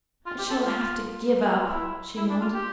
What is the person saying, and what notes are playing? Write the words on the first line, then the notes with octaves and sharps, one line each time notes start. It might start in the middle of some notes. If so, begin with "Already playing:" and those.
"I shall have to give up!" she moaned.
F4
G4
A4
F4
F4
E4
E4
D4
F4
G4